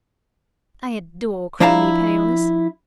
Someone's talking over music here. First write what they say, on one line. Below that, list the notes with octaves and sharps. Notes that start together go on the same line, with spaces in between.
I adore creamy paleness.
F3 D4 E4 F5 A5 A#5